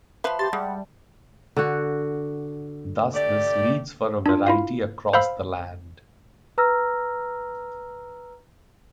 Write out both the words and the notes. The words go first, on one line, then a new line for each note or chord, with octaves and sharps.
Thus, this leads for a variety across the land.
F3 B4 E5 A5 B5
G4 A5 C6 A6
G3 G#3 F#5
D3 F#4
A3 G4 D5
D4 F4
E4 F4 F5
C5 F5 B5 E6
B4 A#5 E6 F6 A#6